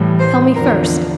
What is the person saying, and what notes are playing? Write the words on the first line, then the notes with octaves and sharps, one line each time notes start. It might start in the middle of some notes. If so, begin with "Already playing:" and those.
"Tell me first."
Already playing: A2 E3 G3
C5
E2 D3 F3 A#4